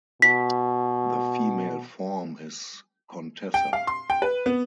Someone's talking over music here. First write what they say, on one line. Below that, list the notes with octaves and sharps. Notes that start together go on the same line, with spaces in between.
The female form is "contessa".
B2 B6
G5
F5
C6
G5
B4
B3